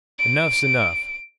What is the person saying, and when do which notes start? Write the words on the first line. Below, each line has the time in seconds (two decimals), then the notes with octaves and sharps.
Enough's enough.
0.19 D7